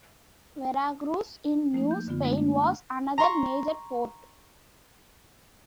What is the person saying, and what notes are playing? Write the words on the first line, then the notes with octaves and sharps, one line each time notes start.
Veracruz in New Spain was another major port.
F3 A3 A#3 D#4
G6
F#2 D3 B3 F4
G#3 A3 B3 D4 D#4
A#3 D4
F#5
A#5 C6 C#6